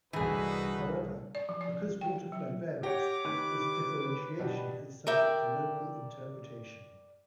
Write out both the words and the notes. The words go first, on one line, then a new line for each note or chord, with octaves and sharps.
However, because water flow varies, this differentiation is subject to local interpretation.
C2 D3 E3 D#4 F#4 G#4 B4
D5
F3
D5
G5
F#3
G4 C#5 F#5 G5 D6 A#6
D#3 B4
B2 D4 G4
A#4 D5 E5 G5